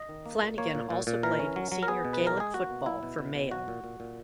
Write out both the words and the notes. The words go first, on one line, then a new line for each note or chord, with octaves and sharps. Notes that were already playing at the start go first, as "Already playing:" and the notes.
Flanagan also played senior Gaelic football for Mayo.
Already playing: D#5
D#3
A#3
A#2
A#3 C#5
A#2
A#2
A#2
E3 A#4
C#4
F#3
F#3
A#4
B3 G#4
B2
B4
E3
A#4
G#3 G#4
A#3 F#4
B2
F#3 E4
B2
B2
B2
F#3 F#4
A#2
A#2
A#2